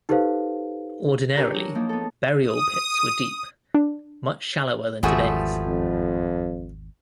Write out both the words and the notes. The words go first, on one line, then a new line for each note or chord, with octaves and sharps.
Ordinarily, burial pits were deep, much shallower than today's.
D#4 G4 A4 B4 C5 F5
D4 G4 G#4 A#4 B4 C#5
F#3 A#4
F3 A#3 D#4
B3 A4
D#6
D4
G#1 E2 F3 G3 A3 F#4 G#4 B4
F2